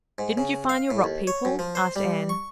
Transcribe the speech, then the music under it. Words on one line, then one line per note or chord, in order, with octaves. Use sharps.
"Didn't you find your Rock People?" asked Anne.
G#2
C#3
F5
A2
D#2
C#5
F#2
F3
C5
G3
C#6